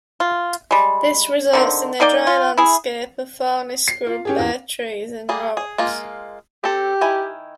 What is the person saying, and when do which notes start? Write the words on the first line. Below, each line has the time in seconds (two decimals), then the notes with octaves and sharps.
This results in a dry landscape of thorny scrub, bare trees and rocks.
0.20 F4
0.71 G3 G#3
1.53 D3 D#3 C4
2.00 A#3 D#4 D5 G5
2.27 F4
2.57 E4 G#4
3.88 C7
4.07 F4
4.25 C#4 G4 G#4
4.39 E2
5.29 G3 A#3 G#4
5.57 G#4
5.78 G#3 A#3 F4
6.64 C4 G4 A4
7.01 D#3 E4 G#5